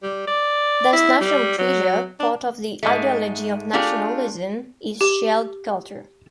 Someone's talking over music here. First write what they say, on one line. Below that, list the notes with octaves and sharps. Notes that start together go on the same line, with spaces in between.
Thus national treasure, part of the ideology of nationalism, is shared culture.
G3
D5
E4
G3
F#3
D4
G#2 G#3 A3
A3 D4 F4 G4 G#4
G4